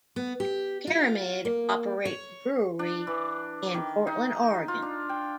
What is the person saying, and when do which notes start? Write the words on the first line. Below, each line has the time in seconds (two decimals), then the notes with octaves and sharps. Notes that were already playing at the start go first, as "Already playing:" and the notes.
Pyramid operates a brewery in Portland, Oregon.
0.16 B3
0.40 G4
0.87 F4
1.45 A#3
2.05 C#5
2.79 D4
3.07 E3
3.74 D#3
4.07 D#4
4.68 F4
4.82 D4
5.09 G5